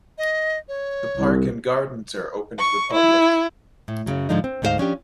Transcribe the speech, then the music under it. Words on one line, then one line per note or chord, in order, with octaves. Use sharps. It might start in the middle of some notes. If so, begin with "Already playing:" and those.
The Park and Gardens are open to the public.
D#5
C#5
C2
C#6
E4
A2
F#2 C#3 F#3
G#2 D3 F3 G#3 D4 D#4
C4
D2 G#2 D#4 G4 C5 F5
F3 C#4 D4 G4